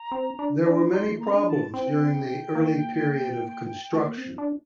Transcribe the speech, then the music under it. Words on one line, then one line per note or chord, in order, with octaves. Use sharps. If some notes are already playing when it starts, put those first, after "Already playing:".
There were many problems during the early period of construction.
Already playing: A#5
C4
D4
D4
D#4 C6
G3
A3
A#3 A#5
C4
D4
A5
C4 G5
A#3
A3
A#3
C4
D4